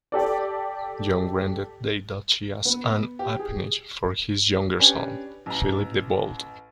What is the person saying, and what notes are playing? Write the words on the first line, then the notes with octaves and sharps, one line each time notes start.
John granted the duchy as an appanage for his younger son, Philip the Bold.
G4 A4 D5
B3
G4
G#4
C#4 D4 G4 B4
A1 A#5